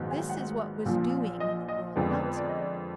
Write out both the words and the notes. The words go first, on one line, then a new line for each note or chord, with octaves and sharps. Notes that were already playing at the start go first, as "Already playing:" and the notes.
This is what was doing in the world outside.
Already playing: A#1 G#2 D#3 F#3 B3
G#5
F#5
A#1 A#2 F3
D#5
D#5
F2 D3 G#3 B3 D5
D5
B4
D5
D#5
D5